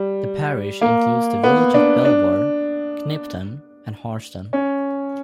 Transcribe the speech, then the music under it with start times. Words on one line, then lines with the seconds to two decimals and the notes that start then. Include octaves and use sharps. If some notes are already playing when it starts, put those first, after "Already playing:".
The parish includes the villages of Belvoir, Knipton and Harston.
Already playing: G3
0.81 A#3
1.43 B3
1.74 D4
2.05 D4
4.53 C#4